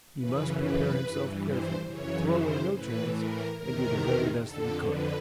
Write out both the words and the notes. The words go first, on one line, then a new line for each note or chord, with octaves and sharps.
He must prepare himself carefully, throw away no chance, and do the very best that he could.
F#2 C#3 E3 B4
B4
G2 E3
C5
F#2 C#3 E3 C#5
C5
A2 E3 B4
A#4
E2 C3 D#3 A#4
F2 D3 A4
B4